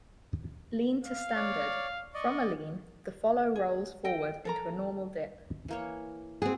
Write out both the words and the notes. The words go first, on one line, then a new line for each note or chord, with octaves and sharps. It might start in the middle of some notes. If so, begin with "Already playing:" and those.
"Lean to Standard:" From a lean, the follow rolls forward into a normal dip.
F5
C#5 D5
D5 D#5 C#6
G#4
A4 D#5 G5
A4 A#4 A#5
E3 A#3 C#5
C4 F#4 G#4 A5